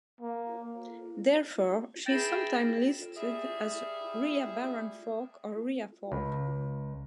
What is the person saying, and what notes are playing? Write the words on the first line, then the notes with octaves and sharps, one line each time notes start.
Therefore she is sometime listed as Ria Baran-Falk or Ria Falk.
A#3
G#4 B4 E5 G5 A6 A#6 E7
G3 G#4 E5
C#2